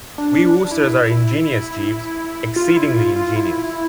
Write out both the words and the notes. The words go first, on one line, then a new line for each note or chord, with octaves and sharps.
We Woosters are ingenious, Jeeves, exceedingly ingenious.
D4
D4
E4
F4
E4
F4
F4
E4